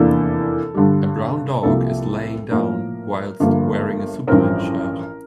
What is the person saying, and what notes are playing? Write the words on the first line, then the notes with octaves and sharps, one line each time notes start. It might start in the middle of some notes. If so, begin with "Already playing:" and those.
A brown dog is laying down whilst wearing a superman shirt.
Already playing: F1 E2 E3 A#3 D4 A4
G2 D3 G3
C2 C3 F3 A#3 A4
A2 F3 A#3 A#4
G1 G2 F3 A#3
A1 G2 F3 C4 A#4